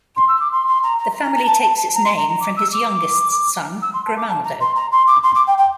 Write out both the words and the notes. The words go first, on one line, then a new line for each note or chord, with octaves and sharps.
The family takes its name from his youngest son Grimaldo.
C6
E6
D6
C6
C6
A#5
A#5
A#5
A#5
A#5
A5
A5
A5
A#5
C6
A#5
A#5
D6
E6
D6
E6
C6
A5
D6
A5
A#5
C6
A#5
C6
D6
C6
D6
G5
G5